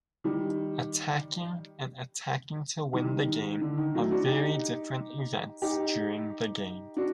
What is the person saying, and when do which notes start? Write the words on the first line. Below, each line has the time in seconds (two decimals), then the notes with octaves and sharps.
Attacking and attacking to win the game are very different events during the game.
0.24 D#3 G3
2.93 D#3 G3
3.27 D#3
3.61 D3
3.78 D#3
3.95 F#3 A3
4.11 D4 F#4
4.27 D#4 G4
5.62 D#4 G4
6.97 D4 F#4